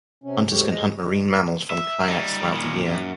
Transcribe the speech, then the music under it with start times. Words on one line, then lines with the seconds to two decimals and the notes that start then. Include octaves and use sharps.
Hunters can hunt marine mammals from kayaks throughout the year.
0.24 C3 C#4
0.51 D2 G#2 A3 G4 C#5
0.70 G#3 D#5
1.70 E5
2.08 G3 D#4
2.54 A#2 D#3
2.87 F#2